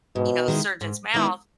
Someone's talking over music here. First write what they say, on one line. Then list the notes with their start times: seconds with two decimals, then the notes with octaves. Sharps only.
you know, surgeon's mouth
0.15 G#2 B2
0.48 D#3 G#3 B3 E4
0.81 G#2
1.14 D#3 G#3 B3 E4